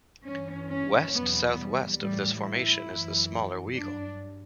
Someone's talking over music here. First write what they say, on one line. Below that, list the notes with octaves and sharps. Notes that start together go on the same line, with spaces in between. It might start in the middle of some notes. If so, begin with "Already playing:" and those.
West-southwest of this formation is the smaller Weigel.
G2 E3 C#4
C#4
E2 B2 F#3 B3
G3
A2 E3 G3
E4
F#2 E3
G2 F#3 D4